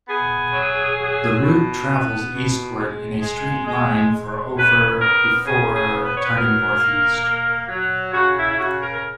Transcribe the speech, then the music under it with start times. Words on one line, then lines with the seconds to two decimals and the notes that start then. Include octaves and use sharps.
The route travels eastward in a straight line for over before turning northeast.
0.08 B3 G#4
0.53 F#3
0.98 F#3
1.43 B2
1.87 B3
2.32 B2
2.77 G#3
3.21 G#3
3.66 G#3
4.11 G#3
4.55 C#3 B4
5.00 B3 A#4
5.45 C#3 G#4
5.75 G#4
5.89 B3
6.05 B4
6.14 C#5
6.24 B4
6.34 F#3 A#4
6.79 A#3
7.24 A#3
7.68 F#3
8.13 C#3 F#4
8.36 E4
8.48 E4
8.58 C#3 F#4
8.80 A#4
8.94 A#4